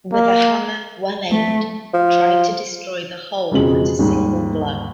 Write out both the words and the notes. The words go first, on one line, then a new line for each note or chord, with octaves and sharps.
With a hammer well-aimed, try to destroy the whole at a single blow.
A#3
A3
F3
E1 F2 C#3 G#3 F#7
D#2 G#2 G3